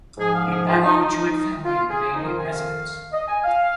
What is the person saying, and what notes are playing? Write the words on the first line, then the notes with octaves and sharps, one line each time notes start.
The Bagot Jewitt family remain in residence.
G#2 F3 G#4
G#5
F5
G#4
F4
D#4
D#4
F4
G#4
F2 D#3 D#4
F4
G#5
F5
D#5
G#5
F5